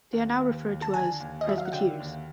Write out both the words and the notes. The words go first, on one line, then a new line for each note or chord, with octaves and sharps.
They are now referred to as "presbyters".
D#2
D#2
D#2
A5
D3 G#5
D#2
D#5
F#3 E5
F5
F#5
D3 G5
D#2